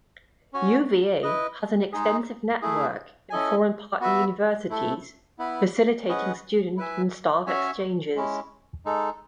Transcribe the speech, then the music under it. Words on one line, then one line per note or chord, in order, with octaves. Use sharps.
UvA has an extensive network of foreign partner universities, facilitating student and staff exchanges.
C#4 F#4 C#5 G#5
E4 B4 D#5
G#3 D#4 G#4
A3 E4 G#4
C#4 E4 A4 D#5 G#5
B3 F#4 B4 E5
A3 E4 A4
B3 E4 B4
C#4 G#4 B4 D#5 F#5
E4 B4 E5 G#5
C#4 F#4 C#5 E5 G#5
G#3 C#4 E4
G#3 D#4 A4